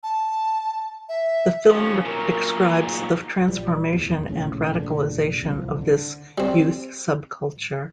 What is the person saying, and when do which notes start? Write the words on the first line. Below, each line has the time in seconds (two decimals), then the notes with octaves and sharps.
The film describes the transformation and radicalisation of this youth subculture.
0.03 A5
1.09 E5
1.70 D#2 F3 C#4
2.05 A#2 F#3 A#4
2.81 G#2
3.48 A#1 F3 G3
3.93 D1 E2
4.28 A#1 A2 C#3 C#4
4.74 F1 A#1 D3
5.42 D1 C2 F3
5.82 D3
6.38 G3 C4